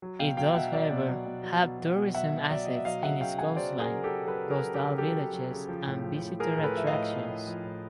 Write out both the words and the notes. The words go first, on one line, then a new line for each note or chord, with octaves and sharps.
It does, however, have tourism assets in its coastline, coastal villages and visitor attractions.
F#3
B2 F5 G5
F#3 F5 G5
B2 E5 F#5
F#3 D5 E5
B2
F#3
B2
F#3
B2
F#3
B2
F#3 E5 F#5
B2
F#3 D5 E5
B2 D#5
E5
F#3 D#5 F5
C#3 E5 F#5
F#3 F5 G5
C#3 F#5 G#5
F#3 C5 D5
C#3
G#4 A#4
F#3
G4 A4
C#3
F#3 A4 B4
C#3
G#4 A#4
F#3
G4 A4
C#3
F#3 G4 A4
C#3
F#3
C#3
F3
A2
F3
A2
F3 G#4 A#4
A2
A4 B4
F3 E5
D#5 F5
A2
F3
A2
F3
A2